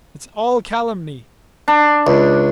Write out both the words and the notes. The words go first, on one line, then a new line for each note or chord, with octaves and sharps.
It's all calumny!
D4
C#2